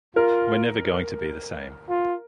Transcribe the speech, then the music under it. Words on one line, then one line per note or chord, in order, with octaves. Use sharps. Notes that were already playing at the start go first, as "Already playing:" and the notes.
We’re never going to be the same.
F4 A#4
F4